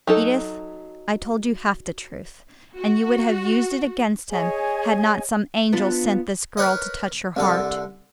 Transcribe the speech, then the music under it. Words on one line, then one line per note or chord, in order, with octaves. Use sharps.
Edith, I told you half the truth, and you would have used it against him had not some angel sent this girl to touch your heart.
F#3 D#4 A4
F#4
G#4 C#5 D#5 G#5
B3 D4 F4
A#4 B4 C#5 D#5
C2 D3 A4